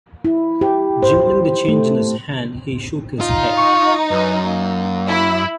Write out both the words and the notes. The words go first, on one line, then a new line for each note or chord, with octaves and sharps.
Jingling the change in his hand he shook his head.
E4
G4
C5
A3
D#4 F4
C#6
F#2 B4
A#3
E4